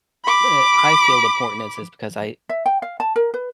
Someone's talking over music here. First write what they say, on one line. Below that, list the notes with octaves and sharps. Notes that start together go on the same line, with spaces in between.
the, uh I feel the importance is is because I
B5 D6
E5
G5
F5
A5
A#4
B4